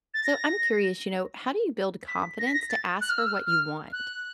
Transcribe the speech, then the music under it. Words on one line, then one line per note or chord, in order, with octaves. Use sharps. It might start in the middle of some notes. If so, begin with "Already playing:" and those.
So, I'm curious, you know, how do you build confidence to ask for what you want?
A6
A#6
B6
A#6
B6
A#6
A6
F#6
F6
E6
F6
F6
F#6